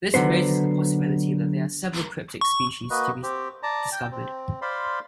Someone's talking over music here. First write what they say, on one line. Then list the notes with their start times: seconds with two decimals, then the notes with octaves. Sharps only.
This raises the possibility that there are several cryptic species to be discovered.
0.14 D3 F#3 B3 C5
2.41 C#6
2.90 A#3 F#4 B4 D#5
3.23 C4 G4
3.63 D5 A5 A#5
3.92 G5
4.12 C4
4.62 C5 D5 F5 B5 C6